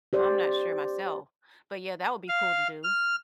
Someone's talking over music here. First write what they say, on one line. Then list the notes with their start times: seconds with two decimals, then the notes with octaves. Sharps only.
I'm not sure myself. But yeah, that would be cool to do.
0.13 G4 C5 D5
2.29 F5
2.83 F6